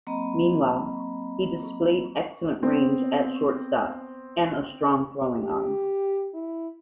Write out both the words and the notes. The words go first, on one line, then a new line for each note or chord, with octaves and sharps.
Meanwhile, he displayed excellent range at shortstop and a strong throwing arm.
F#3 A#3 C4 D#5 A#5 B5
B3 C4
G4
E4